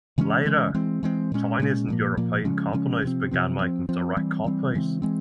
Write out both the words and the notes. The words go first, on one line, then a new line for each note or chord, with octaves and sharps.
Later Chinese and European companies began making direct copies.
C#3 E3 G#3 C#4
C#3 E3 G#3 C#4
E3 G#3 C4
E3 G#3 C4
A#2 G#3 C#4
A#2 G#3 C#4
A#2 F3 A#3
A#2 F3 A#3
C#3 F3 G#3 C#4
C#3 F3 G#3 C#4
C3 F3 C4
C3 F3 C4
F3 C4
F3 C4
E3 G3 C4
E3 G3 C4
C#3 E3 G#3 C4
E3 G#3 C4